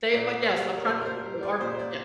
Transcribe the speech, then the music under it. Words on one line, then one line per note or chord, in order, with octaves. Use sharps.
They uh, yes, I'm trying to think they are p yeah.
A#2 D5
G3
A#4
A#2 C5
A#4
C5
G3
D5
A#2 C5
C5
D5